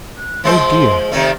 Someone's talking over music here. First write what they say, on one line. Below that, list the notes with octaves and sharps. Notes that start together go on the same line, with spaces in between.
Oh dear!
F#6
F3 G#3 C5 C6
C3 D#3 A3 D5